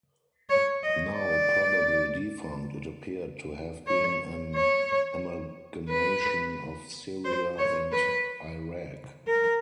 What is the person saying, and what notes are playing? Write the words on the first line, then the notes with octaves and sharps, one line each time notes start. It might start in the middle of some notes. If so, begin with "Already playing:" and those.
Now probably defunct, it appeared to have been an amalgamation of Syria and Iraq.
C#5
D#5
D5
C#5
C#5
B4
C5
C#5
B4
A#4